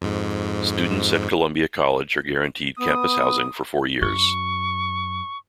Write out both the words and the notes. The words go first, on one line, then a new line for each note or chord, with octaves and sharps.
Students at Columbia College are guaranteed campus housing for four years.
F2 G#2
B3 D#6
F#2 C#6